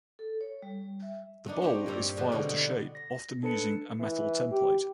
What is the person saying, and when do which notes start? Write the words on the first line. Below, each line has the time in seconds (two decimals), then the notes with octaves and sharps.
The bowl is filed to shape, often using a metal template.
0.19 A4
0.41 C#5
0.62 G3
1.02 E5
1.45 A#3 B3 D4 D#4
1.62 C4 G4 C#5 D#5 A#5 C6
1.86 G2 A#2 G3 E5 A#5
2.17 G#2 B2 D#3 F3 B4 C6
2.32 B2 D3 G3 C4 A#4
2.49 B3
2.95 A#6
3.43 D4 A4 B4 A5 C#7
4.00 E3
4.51 G4